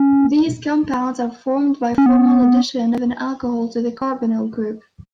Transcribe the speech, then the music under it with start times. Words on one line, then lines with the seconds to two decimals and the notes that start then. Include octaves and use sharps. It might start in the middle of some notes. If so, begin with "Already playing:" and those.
These compounds are formed by formal addition of an alcohol to the carbonyl group.
Already playing: C#4
1.98 C#4
2.06 B3